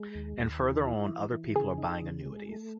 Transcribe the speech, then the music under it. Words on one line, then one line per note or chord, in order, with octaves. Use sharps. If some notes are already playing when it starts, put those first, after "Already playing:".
And further on other people are buying annuities.
Already playing: G#3
D#2
D#2
E3
E4
E3
E3
C#3 G#4
D#4
C#3
G#3
A3